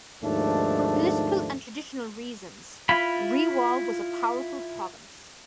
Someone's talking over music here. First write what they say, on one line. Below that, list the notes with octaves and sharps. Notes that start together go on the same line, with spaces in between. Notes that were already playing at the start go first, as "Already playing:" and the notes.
For political and traditional reasons, Rewa is a powerful province.
D#2 G#2 F3 A3 D4
E4 F4 B5